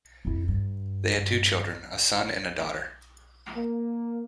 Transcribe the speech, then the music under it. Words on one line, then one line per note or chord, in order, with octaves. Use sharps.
They had two children, a son and a daughter.
F2 E4
G2
A#3